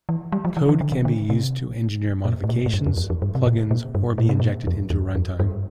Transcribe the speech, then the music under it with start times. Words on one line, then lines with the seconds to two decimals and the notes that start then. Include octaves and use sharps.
Code can be used to engineer modifications, plug-ins or be injected into runtime.
0.09 E3
0.32 G3
0.45 F3
0.57 E3
0.69 E3
0.81 D3
0.92 C3
1.05 D3
1.30 C3
2.25 A#2
2.44 A2
2.49 A#2
2.66 A2
2.74 G2
2.86 F2
2.97 F2
3.10 F2
3.22 G2
3.35 C3
3.47 A#2
3.71 A#2
3.95 G2
4.18 A#2
4.29 C3
4.40 A#2
4.67 F2
4.90 E2
5.15 F2
5.40 G2